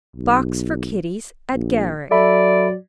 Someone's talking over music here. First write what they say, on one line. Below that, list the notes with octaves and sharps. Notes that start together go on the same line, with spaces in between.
'Box for kiddies at Garrick.
B1
A#1
F#3 A4 D5 E5 B5